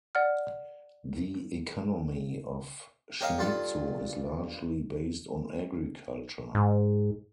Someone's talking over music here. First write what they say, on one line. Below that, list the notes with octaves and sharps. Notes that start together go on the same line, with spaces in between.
The economy of Shimizu is largely based on agriculture.
D5 F#5 F6
G4 A#4 C#5 D#5 F5
G2 F4 A4 F#5
G#2